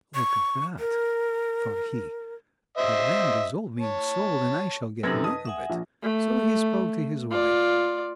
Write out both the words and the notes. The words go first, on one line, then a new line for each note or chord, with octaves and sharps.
"Look at that," thought he, "the land is all being sold, and I shall get none of it." So he spoke to his wife.
C#6
A#4
C5 D#5 E5
C#5 A5
F#2 C3 D#4 A4 B4 G#6 A#6
B4 D#5 A5 D#6
E5 F#5 G#5
A#1
A3
F4 D5